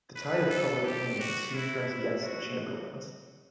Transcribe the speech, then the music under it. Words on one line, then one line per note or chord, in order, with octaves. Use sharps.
The tide of public opinion soon turns against the Chamberlains.
B4
A4
G4
F#4
E4
E4
F#4